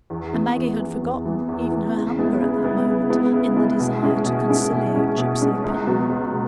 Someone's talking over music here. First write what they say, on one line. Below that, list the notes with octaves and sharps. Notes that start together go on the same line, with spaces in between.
And Maggie had forgotten even her hunger at that moment in the desire to conciliate gypsy opinion.
E2
E3 B3
E2
E3 B3
E2
E3 B3
E2
E3 B3
C#3
G#3 B3 E4
C#3
G#3 B3 E4
C#3
G#3 B3 E4
C#3
G#3 B3 E4
B2
G#3 C#4 E4
B2
G#3 C#4 E4
B2
G#3 C#4 E4
B2
G#3 C#4 E4
C#2
B2 B3 F#4
C#2
B2